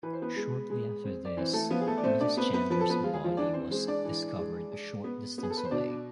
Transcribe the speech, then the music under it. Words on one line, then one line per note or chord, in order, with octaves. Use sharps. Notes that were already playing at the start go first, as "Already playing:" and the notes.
Shortly after this Mrs. Chandler's body was discovered a short distance away.
E3 B4
C5
B3 B4
G#3
G#3
C4
D5
E3 C4 C5
A3 A4
F3 B3 F4
G#4
A3 A4
D5
A3 C4 C5
D4 D5
B3 C4 B4
B3 B4
F3 B4
A4
B3 B4
G#3 F4
G#4
F3 F4
E3 D4 D5
C4 C5
G#3 C4 C5
D4 D5
E3
G#3
G#3
B3
B3 G#4
A4
B4
C5
B2 D4 D5